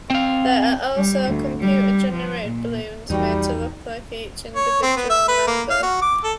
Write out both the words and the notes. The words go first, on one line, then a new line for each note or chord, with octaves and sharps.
There are also computer-generated balloons made to look like each individual member.
C4 F5
G3
D2
G3
F3
A#2
E2 E3 F3 G3 D#4 F#4 G5
C#5
C4
B3
E5
B4
A#3
F5
F#4
D6
A4